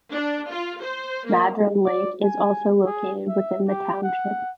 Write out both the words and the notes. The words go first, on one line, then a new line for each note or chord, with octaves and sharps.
Madron Lake is also located within the township.
D4
F4
C5
A#3
D5
G#5
G#4
E5
G4
F#5